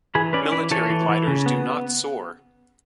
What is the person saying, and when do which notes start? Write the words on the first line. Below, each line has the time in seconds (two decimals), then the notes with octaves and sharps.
Military gliders do not soar.
0.15 E3 G#4 B4
0.33 C#4 B4 D5
0.52 E3 B4 D5
0.71 E3 A4 C#5
0.90 E3
1.09 E3
1.27 C#3
1.46 B3